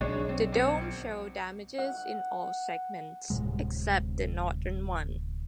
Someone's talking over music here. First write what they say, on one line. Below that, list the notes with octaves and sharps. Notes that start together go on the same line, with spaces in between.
The dome showed damages in all segments except the northern one.
B1 G#3 D4 C#5
C4
G#1 C4 C#7
F#5
D1 A2 C3 G#3